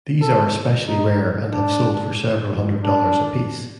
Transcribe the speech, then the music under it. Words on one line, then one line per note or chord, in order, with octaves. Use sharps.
These are especially rare and have sold for several hundred dollars apiece.
A4
D#4
D4
D4